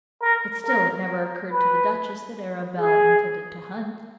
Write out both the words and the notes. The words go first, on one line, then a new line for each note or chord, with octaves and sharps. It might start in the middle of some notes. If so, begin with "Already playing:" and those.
But still it never occurred to the Duchess that Arabella intended to hunt.
A#4
A#4
B4
G#4